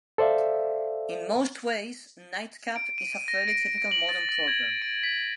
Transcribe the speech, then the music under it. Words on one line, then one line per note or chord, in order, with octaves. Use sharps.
In most ways, KnightCap is a fairly typical modern program.
A4 C5 D5 E5 F5
D7
D#7
A#6
D7
D7
F#7
A6
A#6
G#6
D7
B6